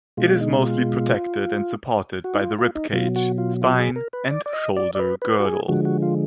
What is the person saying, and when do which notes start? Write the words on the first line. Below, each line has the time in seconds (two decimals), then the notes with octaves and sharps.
It is mostly protected and supported by the rib cage, spine, and shoulder girdle.
0.17 B2 G#3 F4
0.36 F4
0.41 D#4
0.63 F4
2.24 F#4
2.34 D#4
2.41 F4
2.58 F4
2.75 D#4
2.93 B2 F#3 F4
3.16 F#4
3.38 F4
3.62 F4
3.79 G#4
3.96 A#4
4.13 B4
4.31 D5
4.46 D5
4.53 D#5
4.77 D5
4.95 D5
4.99 B4
5.22 B4
5.40 F#4
5.45 G#4
5.68 D3 F3 G#3 F#4
5.85 F#4
6.02 F4